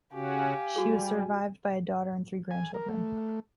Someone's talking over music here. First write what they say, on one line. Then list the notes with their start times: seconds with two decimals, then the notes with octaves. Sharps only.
She was survived by a daughter and three grandchildren.
0.13 C#3 C#4 F#4 G4 F5 G#5
0.76 G3 F#4 G#4
2.51 G#5
2.74 A#4
2.89 A3